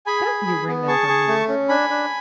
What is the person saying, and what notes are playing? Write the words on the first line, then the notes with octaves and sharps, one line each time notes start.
"Don't you remember me?"
G#4 G#5 B5
G#4
G#4
B3
G#4 A5 C#6
G#4
A3
C#4
D4 G#5 B5
D4